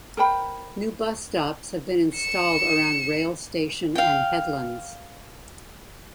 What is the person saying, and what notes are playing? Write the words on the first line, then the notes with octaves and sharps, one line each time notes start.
New bus stops have been installed around rail station and headlands.
A#4 C5 G5 B5
C#7 E7
F5 G5